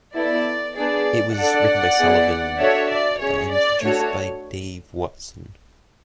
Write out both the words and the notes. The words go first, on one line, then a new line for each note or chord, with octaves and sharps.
It was written by Sullivan and produced by Dave Watson.
B3 E4 A4 D5
B3 D4 G#4 D5
D4 A4 D5 F#5
B3 E4 G#4
D4 F#4 A4 C#5 E5
D5
C#4 G#4 C#5
D5
A3 D4 F#4 A4 C#5